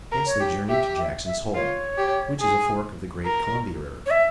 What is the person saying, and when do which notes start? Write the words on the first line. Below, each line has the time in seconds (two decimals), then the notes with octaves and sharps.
Hence they journeyed to Jackson's Hole, which is a fork of the Great Columbia River.
0.12 A#4
0.26 C#5
0.40 G4
0.69 G4 E5
0.98 E5
1.26 E5
1.55 F4 C#5
1.98 G4
2.40 G#4
3.25 A#4
4.06 C#5
4.10 E5